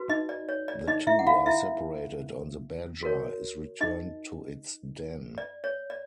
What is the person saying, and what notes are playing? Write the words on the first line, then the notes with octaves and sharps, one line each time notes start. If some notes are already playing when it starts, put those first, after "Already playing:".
The two are separated and the badger is returned to its den.
Already playing: F#4 B4
D#4 D#5
D5
C#5
D5
D#4 D#5
E4 E5
F#5
F4 F5
E4 E5
F#4 A#4 C#5
D#4 D#5
D5
C#5
D5